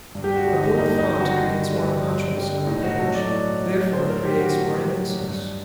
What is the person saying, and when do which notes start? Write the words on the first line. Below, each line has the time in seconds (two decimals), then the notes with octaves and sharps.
A bold font creates more contrast on the page, therefore creates more emphasis.
0.15 G2
0.24 G4
0.36 F#4
0.46 D3 G3
0.56 D#4
0.78 G2 D#4
0.99 D#4
1.09 D3 G3
1.20 F#4
1.41 G2
1.73 D3 G3
2.04 G2
2.35 D3 G3
2.67 A2 D#4
2.83 F#4
2.99 F#3 A4
3.15 D5
3.30 A2
3.62 F#3
3.93 A2 C5
4.09 A#4
4.25 F#3 G4
4.40 F#4
4.56 A2
4.88 F#3
5.20 G2